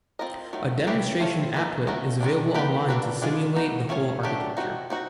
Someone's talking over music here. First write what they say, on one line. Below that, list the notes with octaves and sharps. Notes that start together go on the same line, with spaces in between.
A demonstration applet is available online to simulate the whole architecture.
C4 F4 A#4 D#5
D#3 F#3 A3
C#4 E4 G4 B4
A3 C4 F4 A4 C#5
A#3 D#4 F#4 B4 D#5
A3 C#4 F#4 A#4 D#5
D#3 G#3 B3 D4
A#3 D#4 G4 B4 D5
A#3 D4 F#4 B4
G#3 B3 D4 F4 G#4
B3 D#4 F#4
A3 C#4 F4 G#4 C#5
F#3 A3 D4 G4
C4 D#4 F#4
C4 D#4 F#4